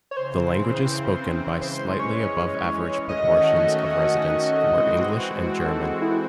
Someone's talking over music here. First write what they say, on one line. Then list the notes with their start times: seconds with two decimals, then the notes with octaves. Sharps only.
The languages spoken by slightly above-average proportions of residents were English and German.
0.11 C#5
0.16 C#3 E3 C4 C5
1.62 E3 G#3 C#4 C5
1.99 C#5
3.08 D#3 A3 C#4 F#4 D#5
4.55 E3 G#3 C4 F#4
5.65 A4
6.01 E4